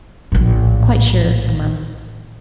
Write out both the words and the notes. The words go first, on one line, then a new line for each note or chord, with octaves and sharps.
"Quite sure," I murmured.
A#1 A2